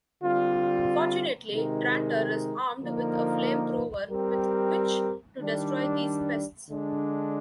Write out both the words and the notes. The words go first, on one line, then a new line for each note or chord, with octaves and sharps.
Fortunately, Trantor is armed with a flamethrower with which to destroy these pests.
D3 G3 C4 F4
C3 D#3 G#3 D#4 A#4
D3 F3 A#3 D#4 A#4
G3 C4 G4 A#4
D#3 G3 D4
D3 G#3 D4